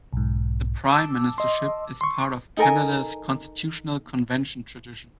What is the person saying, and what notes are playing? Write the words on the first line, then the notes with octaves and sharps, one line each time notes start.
The prime ministership is part of Canada's constitutional convention tradition.
B1 G#2
A5 D6 E6
D#5 C6
C6 C#6
D#4 A4 A#4 G#5